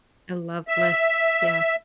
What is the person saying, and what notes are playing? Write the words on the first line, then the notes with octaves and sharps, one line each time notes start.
I love lists. Yeah.
E5